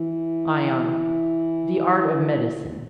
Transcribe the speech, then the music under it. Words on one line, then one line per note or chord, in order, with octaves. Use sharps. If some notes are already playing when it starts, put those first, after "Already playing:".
ION: The art of medicine.
Already playing: E3